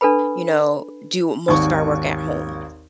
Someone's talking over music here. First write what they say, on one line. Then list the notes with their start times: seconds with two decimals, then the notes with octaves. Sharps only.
you know, do most of our work at home.
0.01 D4 A4 B4 B5
1.48 G#1 D#2 C#6